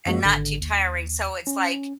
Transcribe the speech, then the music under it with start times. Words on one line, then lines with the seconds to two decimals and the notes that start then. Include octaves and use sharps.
and not too tiring. So It's, like,
0.06 F#2 F3 G#3 A#3 F#4
0.25 G#1 D3
0.61 D#2
1.47 C#4